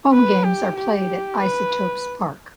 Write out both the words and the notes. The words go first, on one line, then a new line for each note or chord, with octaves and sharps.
Home games are played at Isotopes Park.
B4
G4
G4
B4